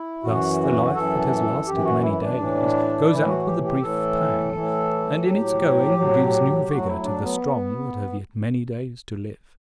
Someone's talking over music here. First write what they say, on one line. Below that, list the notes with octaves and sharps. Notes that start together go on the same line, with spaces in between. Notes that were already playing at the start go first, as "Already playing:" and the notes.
Thus the life that has lasted many days goes out with a brief pang, and in its going gives new vigor to the strong that have yet many days to live.
Already playing: E4
F#2 E3 F#4
F#2 E3 A4
F#2 E3 G4
F#4
E4
D4
A2 E3
A2 E3 E4
F#4
G4
G4
A2 E3 A4
A2 E3
A2 F#3 G4
A2 F#3
A2 F#3 F#4
E4
D4
B3